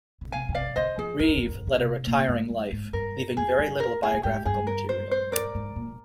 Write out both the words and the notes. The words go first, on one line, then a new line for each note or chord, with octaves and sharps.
Reeve led a retiring life, leaving very little biographical material.
D3
C3 F5 G#5
D3
C3 D5 F5
D3 C5 D#5
F3 G#4
D#3 A#4
D3
D#3
D3
D3
C3
A#2
G#2
G2
G#2
G2 A#4
F2 G#4
G2
A#4
G#4
A#2
G#2 G4
G2 G#4
A#4
C5
C5
A#4 D5
G#2
A#2